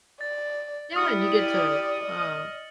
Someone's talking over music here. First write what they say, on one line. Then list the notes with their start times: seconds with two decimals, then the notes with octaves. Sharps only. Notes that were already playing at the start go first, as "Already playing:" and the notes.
Yeah, and you get to, um
0.21 D5 A6
0.96 E4 G4 D5 D#6 F6 C#7
1.32 F#7
2.03 D#5